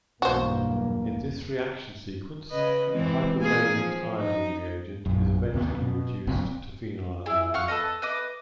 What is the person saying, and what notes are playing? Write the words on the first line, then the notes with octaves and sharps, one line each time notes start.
In this reaction sequence the hypervalent iodine reagent is eventually reduced to phenyliodine.
B1 E2 G2 A#3 F#4 C5
C#3 B4 D#5
E3 G#3 C4
A#3 G#4
F3
D#4
A#1 F#2
D#2 C3 B3
B2
F#1 B1 C4
E4 G#4
F5 F#5 C#6 F6
A4 B4 D#5
B4 D#5 D6